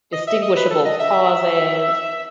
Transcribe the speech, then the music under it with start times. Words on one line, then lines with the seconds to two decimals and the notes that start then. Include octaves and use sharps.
distinguishable pauses,
0.12 D#5
0.27 E5
0.42 D#5
0.57 B4
0.70 A4
0.85 D#5
0.99 E5